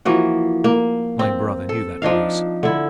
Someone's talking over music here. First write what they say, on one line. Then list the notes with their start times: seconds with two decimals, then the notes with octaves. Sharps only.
My brother knew that place.
0.05 E3 F3 A#3 F#4
0.64 A#3
1.19 C4
1.69 A4
2.02 F3 D4 D#4 F5
2.63 D3 E4